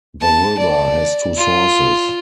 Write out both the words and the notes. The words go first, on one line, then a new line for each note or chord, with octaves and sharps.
The river has two sources.
A5
D5
F4